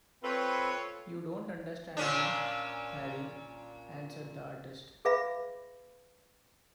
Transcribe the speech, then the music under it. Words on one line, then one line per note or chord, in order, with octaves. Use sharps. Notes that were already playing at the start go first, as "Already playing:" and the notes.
"You don't understand me, Harry," answered the artist.
C4 F4 A4 B4 C#5
A#2 C#4 D4
G#4 B4 E5 F5 B5